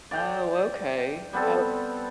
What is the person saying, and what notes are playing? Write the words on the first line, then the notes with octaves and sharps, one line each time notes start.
Oh, okay. Oh,
D5 G5
G3 B3 C4 A4